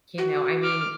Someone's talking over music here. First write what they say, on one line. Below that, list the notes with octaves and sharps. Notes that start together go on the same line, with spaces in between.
You know, I mean,
F#4
D6 F6